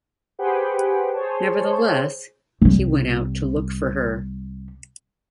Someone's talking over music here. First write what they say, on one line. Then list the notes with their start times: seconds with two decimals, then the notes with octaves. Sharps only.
Nevertheless, he went out to look for her.
0.39 G4 G#4 B4 C5 F#5 G5
1.14 G#4 C5 C#5 A5
2.62 C2 G3